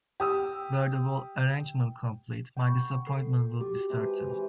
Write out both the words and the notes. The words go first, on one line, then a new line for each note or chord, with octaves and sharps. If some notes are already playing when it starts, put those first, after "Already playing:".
Were the whole arrangement complete, my disappointment would be certain.
G4 D#6 E6
F#5 G5 B5 C#6
A4 C7
F#4 G4 D6
C3 G#3 B4
E3